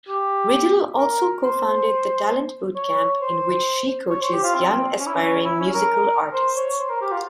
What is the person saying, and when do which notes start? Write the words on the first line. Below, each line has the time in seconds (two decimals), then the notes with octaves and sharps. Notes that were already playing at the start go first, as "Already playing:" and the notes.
Ridel also co-founded the Talent Bootcamp, in which she coaches young aspiring musical artists.
0.08 G4
0.97 A#4
1.43 C5
2.76 C#5
3.21 C5
4.10 C#5
4.21 C5
4.32 G4
4.43 F4
4.55 C4
4.99 C#4
5.06 E4
5.14 C#4
5.45 E4
5.59 C#4
5.74 A#4
6.33 C5
6.56 C#5
6.79 C5
6.89 A#4
7.01 G4
7.11 F4